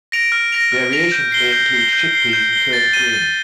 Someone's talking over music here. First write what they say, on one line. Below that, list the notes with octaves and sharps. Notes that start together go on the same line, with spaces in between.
Variations may include chickpeas and turnip greens.
A#6 D7 F7
F6
A#6 D7 F7
F6
A#6 D7 F7
G6
C7 G7
G6
C7 G7
G6
C7 G7
G6
C7 G7
A6
D#7 G7
A6